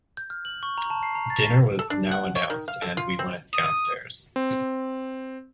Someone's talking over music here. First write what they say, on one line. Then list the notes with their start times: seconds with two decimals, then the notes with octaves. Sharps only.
Dinner was now announced, and we went downstairs.
0.17 G6
0.30 F6
0.45 F#7
0.63 C#6
0.78 A#5
0.90 A5
1.03 C7
1.15 A#5
1.30 A6
1.45 B6
1.79 A4
1.90 D4
2.11 F#5
2.36 C#5
2.50 D#3
2.68 F5
2.82 A4
2.97 F4
3.19 C4
3.53 D#6
4.36 C4